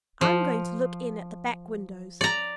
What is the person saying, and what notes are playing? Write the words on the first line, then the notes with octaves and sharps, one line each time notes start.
I'm going to look in at the back windows.
F3
D5 A#5